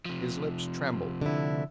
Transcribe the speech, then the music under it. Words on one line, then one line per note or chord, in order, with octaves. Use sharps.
His lips trembled.
C3 F3
D3 E4